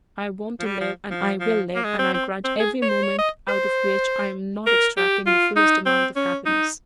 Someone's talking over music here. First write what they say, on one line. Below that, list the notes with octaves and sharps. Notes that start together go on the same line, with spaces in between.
I want to live, and I will live, and I grudge every moment out of which I am not extracting the fullest amount of happiness.
F3
G3
F3
F3
F3
A#3
G#3
C4
C4
C4
G#4
C#5
C5
C#5
D#5
C5
A#4
G4
F4
D#4
C4
C#4
D#4